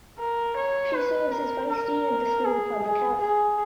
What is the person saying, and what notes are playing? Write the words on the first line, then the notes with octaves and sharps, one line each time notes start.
She serves as Vice Dean of the School of Public Health.
A#4
C#5
B4
A#4
A#4
G#4
G#4
G#4